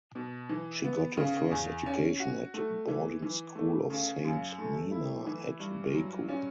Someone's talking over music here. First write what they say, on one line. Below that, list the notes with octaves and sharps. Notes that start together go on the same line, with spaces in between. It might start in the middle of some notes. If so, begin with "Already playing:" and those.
She got her first education at Boarding School of Saint Nina at Baku.
B2
E3
B3
C#3
E2
C#4
F#4
A3
E3
E3
A3
C#3
F#2
A3
E4
E3
G2
F#3
C#4